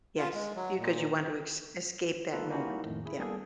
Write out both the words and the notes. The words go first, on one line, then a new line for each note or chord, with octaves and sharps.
Yes. You 'cause you want to es escape that moment. Yeah.
F4
G#3
F#3
A#2
A#3 D4 D#4 F4 A4 B4
A#3 C#4 D#4 E4 F#4 G4
F2 A2 D#3
E4 G#4
G3 A#3 B3 D4 G#4 A4